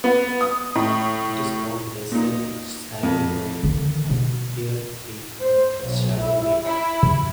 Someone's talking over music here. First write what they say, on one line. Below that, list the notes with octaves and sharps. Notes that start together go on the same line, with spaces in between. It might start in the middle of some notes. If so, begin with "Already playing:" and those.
It is also called the sail swallowtail or pear-tree swallowtail.
B3
D#6
A2
A#2 D#4
F2
D3 D#3
B2
C5
B1
E4
E4